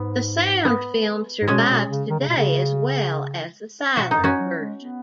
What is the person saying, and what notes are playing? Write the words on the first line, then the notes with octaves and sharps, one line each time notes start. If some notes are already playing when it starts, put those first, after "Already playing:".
The sound film survives today as well as the silent version.
Already playing: G#2 B3
B3
G#2
B2 G#3 C#4
B2
C#3
D#3
C#3
B2
C#3
B2 F#4
D#4
F#2
C#4 F#4
F#3
G#3
B3